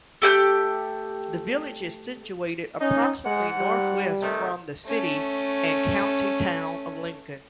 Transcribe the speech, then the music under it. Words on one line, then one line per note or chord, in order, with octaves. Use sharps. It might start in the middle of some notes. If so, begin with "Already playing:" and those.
The village is situated approximately north-west from the city and county town of Lincoln.
A3 G4 G5 G6
C#4 D#4
G#2 G#3 F#5
G3
C3 D#3 A3
A3 C#4